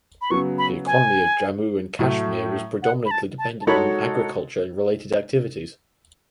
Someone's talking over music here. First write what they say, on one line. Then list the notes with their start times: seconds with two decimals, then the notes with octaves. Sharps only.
The economy of Jammu and Kashmir was predominantly dependent on agriculture and related activities.
0.21 B5
0.30 C#3 F#3 B3 C#6
0.58 B5
0.87 G#5
1.99 A2 F#3 A3
2.83 F#5
3.06 B5
3.11 A5
3.39 A5
3.61 A5
3.67 G#3 D#4 F#4 A4 C#5 B5